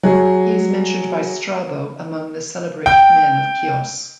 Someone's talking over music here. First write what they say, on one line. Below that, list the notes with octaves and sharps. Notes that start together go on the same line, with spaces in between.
He is mentioned by Strabo among the celebrated men of Chios.
F#3 G#4
G5